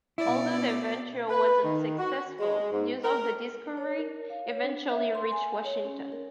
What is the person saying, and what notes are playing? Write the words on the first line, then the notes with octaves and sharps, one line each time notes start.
Although their venture was unsuccessful, news of the discovery eventually reached Washington.
B2 E4 D5
B4
D#3
F#4
G#3
G#2
A#4
C#5
A#4
F5
C#5
D4
E5
C6
G#5
C#5
C#4
A#4